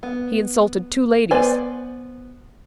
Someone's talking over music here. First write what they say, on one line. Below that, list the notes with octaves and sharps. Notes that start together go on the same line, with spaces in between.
He insulted two ladies.
B3
B3 B4 C5 D5 G#5